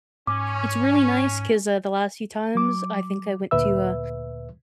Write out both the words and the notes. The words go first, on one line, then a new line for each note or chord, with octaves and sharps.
it's really nice 'cause, uh, the last few times, I think I went to, uh,
G#2 C#4 D6
F#3 D6
D2 A#2 B4 E5 E6